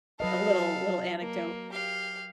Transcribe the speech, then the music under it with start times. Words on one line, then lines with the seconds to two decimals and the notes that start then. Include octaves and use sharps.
a little little anecdote;
0.20 F#3 A4 B4 D#5 F5
1.21 A#3
1.73 G4 F5